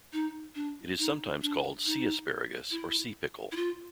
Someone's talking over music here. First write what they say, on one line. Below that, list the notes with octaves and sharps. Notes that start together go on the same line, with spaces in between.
It is sometimes called sea asparagus or sea pickle.
D#4
D4
D#4
D4
D#4
E4
E4
F4